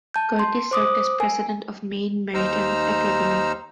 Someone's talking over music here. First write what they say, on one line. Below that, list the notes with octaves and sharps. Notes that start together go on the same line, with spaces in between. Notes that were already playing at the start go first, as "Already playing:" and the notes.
Curtis served as President of Maine Maritime Academy.
A5 G6
C6
C5 D6 D#6
A#4 G#5
D#2 D#4 C5 A#5 E6 F6